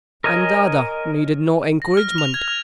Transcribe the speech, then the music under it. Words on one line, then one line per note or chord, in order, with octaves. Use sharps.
And Dada needed no encouragement.
A#4 C#5 D#5 G#5
A#6
F6
F7
G#6
F6